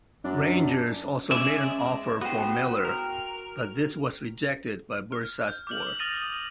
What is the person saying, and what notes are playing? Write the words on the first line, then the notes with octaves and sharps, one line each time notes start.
Rangers also made an offer for Miller, but this was rejected by Bursaspor.
F#2 D4
G#3 C#4 D5 E5
B3 F#4 C5 F#5 G5
A#4
F6
G6
D6 F6 F#7
D#6 F6 A6 A#6 D#7 F7